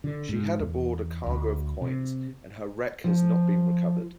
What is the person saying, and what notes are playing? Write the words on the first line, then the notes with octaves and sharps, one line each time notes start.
She had aboard a cargo of coins, and her wreck has not been recovered.
D3
G#2
E2
D2
C3
F3